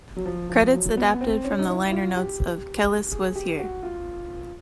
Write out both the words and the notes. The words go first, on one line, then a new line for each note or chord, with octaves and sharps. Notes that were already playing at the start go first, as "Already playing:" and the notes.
Credits adapted from the liner notes of "Kelis Was Here".
F#3
F3
F3
F#3
B3
B3
C4
C#4
D#4
E4
E4
F4
F#4
G4
G#4
G4
F#4
F4